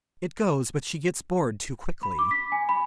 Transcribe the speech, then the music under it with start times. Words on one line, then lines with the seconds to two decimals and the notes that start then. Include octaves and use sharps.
It goes, but she gets bored too quickly.
2.03 B5
2.19 D6
2.31 B6
2.52 G#5
2.69 B5